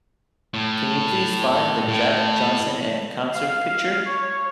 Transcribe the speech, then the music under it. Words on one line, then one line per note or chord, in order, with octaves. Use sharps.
Can you please find the Jack Johnson En Concert picture?
A2
A2
F5
C#5